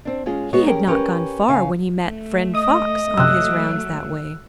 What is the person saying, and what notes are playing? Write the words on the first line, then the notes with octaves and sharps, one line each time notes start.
He had not gone far when he met friend Fox, on his rounds that way.
C4 D4
G#3 C#4 F4 G#4
G#3 B3 C#5
D#2 C#4 G4 G#4 A#4
C#4 G4 A#4 B4
C#3 F5 G#5
A3
D#5 D#6
F#2 C3 F#3 A3 E6 F#6